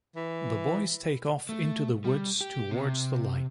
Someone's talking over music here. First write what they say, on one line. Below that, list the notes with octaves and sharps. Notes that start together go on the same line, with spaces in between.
The boys take off into the woods towards the light.
E3
A3
G3
G4
C3